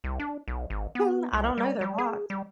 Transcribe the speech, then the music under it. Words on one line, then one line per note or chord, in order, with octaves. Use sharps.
Hmm, I don't know, they're blocked.
C2
D4
B1
G#1
B3
C2
G3
G3
G#4
G3